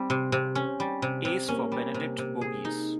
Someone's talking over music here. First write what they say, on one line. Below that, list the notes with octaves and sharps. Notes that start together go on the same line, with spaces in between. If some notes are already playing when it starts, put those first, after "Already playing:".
Ace for Benedict Bogeaus.
Already playing: G3 C4
C3
C3
C#4
G3
C3
C3
A#3 C#4
G3
C3
C3
G#4
D#4